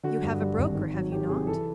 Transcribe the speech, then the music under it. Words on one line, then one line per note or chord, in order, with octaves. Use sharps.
"You have a broker, have you not?"
D3 F#4
G2
G3
G#1
D#3
F#3
D#3 G4
C3 G#4
E3 A4